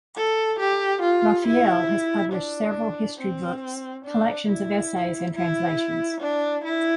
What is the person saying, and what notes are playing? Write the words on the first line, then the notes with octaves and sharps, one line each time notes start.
Raphael has published several history books, collections of essays and translations.
A4
G4
F4
E4
D4
C4
D4
E4
E4
D4
E4